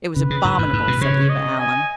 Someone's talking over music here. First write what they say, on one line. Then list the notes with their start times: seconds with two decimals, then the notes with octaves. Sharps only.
"It was abominable," said Eva Allen.
0.16 C#3 B4
0.30 C#3
0.45 G#2
0.59 G#2
0.73 G#2
0.88 B2
1.01 C#3 C#5
1.30 D#5
1.59 G#5